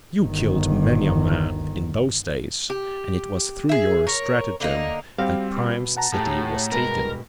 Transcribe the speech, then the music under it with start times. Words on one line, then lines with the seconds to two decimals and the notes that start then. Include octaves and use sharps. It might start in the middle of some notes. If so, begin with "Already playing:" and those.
You killed many a man in those days, and it was through your stratagem that Priam's city was taken.
0.22 G1 D#3
2.70 G4
3.69 G#4 E5
4.07 A#4 C#5
4.60 D3 A#3 D#4
5.18 G3 C4 F#4 G4 F5
5.57 B2
5.97 F#5 A5 A#5
6.14 A2 G4 G#4
6.72 G2 B2 G#3 A#4